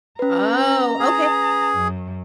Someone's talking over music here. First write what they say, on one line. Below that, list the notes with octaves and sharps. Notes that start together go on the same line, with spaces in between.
Oh, okay.
C#4 B4 A#5
G#4
F#2